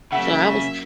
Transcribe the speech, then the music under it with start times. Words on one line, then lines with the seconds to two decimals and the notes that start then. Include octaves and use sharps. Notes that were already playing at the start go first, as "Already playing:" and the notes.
So I was
0.12 C#3 F#3 A#3 C#4 E5 F#5